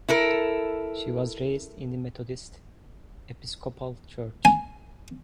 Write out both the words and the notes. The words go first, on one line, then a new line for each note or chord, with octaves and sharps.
She was raised in the Methodist Episcopal Church.
E4 A4 A#4
G#5